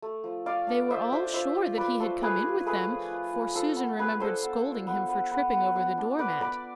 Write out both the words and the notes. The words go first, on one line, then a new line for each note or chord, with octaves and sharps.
They were all sure that he had come in with them, for Susan remembered scolding him for tripping over the door-mat.
A3
F3
F4 D5 F5
D4
F4 C5 E5
D4 C5 E5
F4 C5 E5
F4
F3 B4 D5
A3 A4 C5
A3 G#4 B4
F4
A3 G#4 B4
F3
F4
F3
F4 A4 C5
B3
D4 G#4 B4
D4 A4 C5
B3
D4
B3
B3
B3
B3
B3
D4
B3 B4 D5
B3 B4 D5